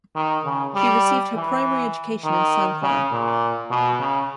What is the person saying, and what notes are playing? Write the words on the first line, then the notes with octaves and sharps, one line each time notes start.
She received her primary education in San Juan.
D#3
C#3
G3
E3
D#3
C#3
A#2
B2
C#3